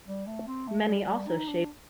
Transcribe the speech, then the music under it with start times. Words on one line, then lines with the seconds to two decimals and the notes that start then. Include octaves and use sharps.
Many also shave their head as this is considered hygienic.
0.07 G3
0.27 A3
0.47 C4
0.67 A3
0.87 G3
1.07 G3
1.27 D#4
1.48 D4